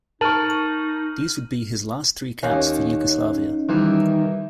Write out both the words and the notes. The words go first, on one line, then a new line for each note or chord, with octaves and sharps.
These would be his last three caps for Yugoslavia.
D#4 A#4 A5 C#6 F6 D#7 F#7
D#2 C#4 D#4
D#3 E3 G3